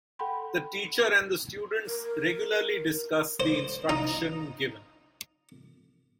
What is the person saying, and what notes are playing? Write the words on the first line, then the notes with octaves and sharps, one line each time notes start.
The teacher and the students regularly discuss the instruction given.
A4 F#5 G5 B5 C6
A#4
C5
D#4